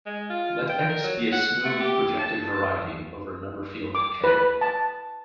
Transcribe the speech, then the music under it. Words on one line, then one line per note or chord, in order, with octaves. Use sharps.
Let "X" be a smooth projective variety over a number field "K".
G#3
F4
G5
A#4
F#3
F#5
A3
G4
A5
D6
B4
A5